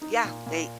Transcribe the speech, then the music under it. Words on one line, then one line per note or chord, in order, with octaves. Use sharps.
Yeah, they
D#4
A#2
A#2